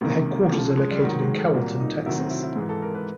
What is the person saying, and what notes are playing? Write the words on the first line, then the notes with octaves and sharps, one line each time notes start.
The headquarters are located in Carrollton, Texas.
C#2 C3 D#3 A#3
A#3
C#2 C#3 F3 A3
G#3
G#3
G3
G#2 D#3 F#3
G#3
A3
C2 A#2 F#3 A#3
D#4
D2 C3 D#3 F#3 E4
C4
E4
E4
G#2 E3 G#4
A4
A#4
B4